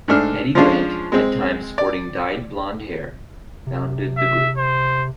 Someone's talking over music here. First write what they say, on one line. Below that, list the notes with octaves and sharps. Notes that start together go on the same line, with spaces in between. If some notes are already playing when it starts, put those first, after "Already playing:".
Eddy Grant, at times sporting dyed blond hair, founded the group.
G#2 A3 D4 F6
F3 G#3 C#4 D4 F4
G#3 C4
D5
C3
E5
C5